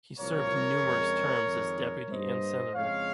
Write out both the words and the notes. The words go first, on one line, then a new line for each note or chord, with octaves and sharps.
He served numerous terms as deputy and senator.
C2 A#2 F3 A#3 A#4 C#5
F2 C#3 G#3 C4
F2 D#3 G#3
G2 G3 A#3 C5 D#5
F2 C#3 G#3 C4 C#5 F5